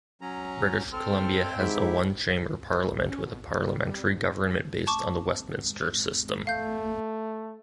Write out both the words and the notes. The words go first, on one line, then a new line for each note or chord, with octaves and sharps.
British Columbia has a one chamber parliament with a parliamentary government based on the Westminster system.
F#3 C#4 A#5
C4 A4 F6
G#2 E4 G4 E5
C2
C#4
B2
D2
G3
G3
G#2
A5 C#6 D6
A3 F5 G6